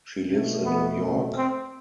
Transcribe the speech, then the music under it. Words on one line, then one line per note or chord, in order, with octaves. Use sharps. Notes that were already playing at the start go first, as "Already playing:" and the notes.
She lives in New York.
B2 A3
B3
C4